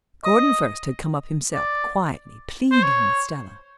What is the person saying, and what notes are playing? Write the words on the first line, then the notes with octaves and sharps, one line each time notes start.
Gordon first had come up himself, quietly, pleading with Stella.
D#5
D5
C5
C#5